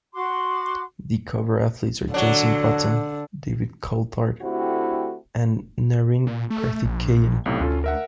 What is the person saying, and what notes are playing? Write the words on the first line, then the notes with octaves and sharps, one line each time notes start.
The cover athletes are Jenson Button, David Coulthard and Narain Karthikeyan.
F#4 C6 D6
D3 F#3 D4
D3 A3 C4 E4 F#4 G4
A#2
A3
A#1
B1 A2 C3
D2 C#4 F4 A4
A#4 E5 F#5